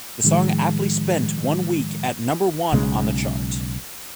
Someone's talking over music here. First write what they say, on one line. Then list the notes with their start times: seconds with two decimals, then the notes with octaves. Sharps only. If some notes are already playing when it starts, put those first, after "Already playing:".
The song aptly spent one week at number one on the chart.
0.24 A2 D#3 F3 G#3
2.72 B1 C#3 G#3